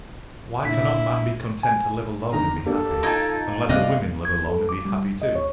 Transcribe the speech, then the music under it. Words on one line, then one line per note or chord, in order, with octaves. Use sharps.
Why cannot man be content to live alone and be happy, and let the women live alone and be happy too?
A#2 A#3 D4 E4 B6
G#5
D3 D#3 A#5
A#3 D4 G4 A4
D#4 F4 A5 G#6 D7
G2 C3 G#3 C4 D5 D#5 F5 F#6
G#6
A4
D6
G3
D#5
C#5